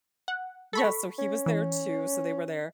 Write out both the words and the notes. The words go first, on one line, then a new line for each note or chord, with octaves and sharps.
Yes, so he was there too, so they were there.
F#5
A4 B5 C#6
C#4
E3